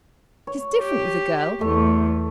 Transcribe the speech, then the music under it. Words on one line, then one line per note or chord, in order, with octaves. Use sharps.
It is different with a girl.
C#5
G4
E2 A3